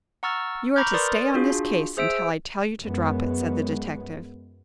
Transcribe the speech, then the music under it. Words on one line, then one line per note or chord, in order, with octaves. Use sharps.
"You are to stay on this case until I tell you to drop it," said the detective.
F#5 A#5 C#6 E6 F6 A6
A#5 B5 C#6 D6 F6 G6
A#4 B4 D5 C6 D#6 A6
D4 F4 F#4 G#4
G#4 C5 E5 E6 D7
F#2 G#3 B3